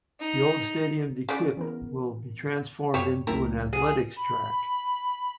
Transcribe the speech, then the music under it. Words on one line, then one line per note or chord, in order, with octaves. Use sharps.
The old stadium 'De Kuip' will be transformed into an athletics track.
D#4
C#3 D5
E3 B3 A#4
F#2 G3 C#5
C#2 F#3 A3 C4 E4 A#4
G#4
B5